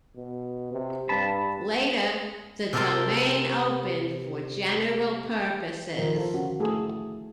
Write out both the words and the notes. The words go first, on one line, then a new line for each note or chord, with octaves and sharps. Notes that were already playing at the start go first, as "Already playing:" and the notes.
Later, the domain opened for general purposes.
B2
C3
G2 A5 B5
C3 G4 A4 A#4 A5 C6
D#3 F3 A#4 C5
F4 A4
D3 C#4 F#4
A3 E4 G#4 A4